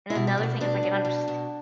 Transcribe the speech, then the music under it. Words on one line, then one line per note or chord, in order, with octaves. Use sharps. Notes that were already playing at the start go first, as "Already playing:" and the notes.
And another thing is, like and I'm s
E4
B2
G4
B2
E4
B2 D4
B2
B2
B2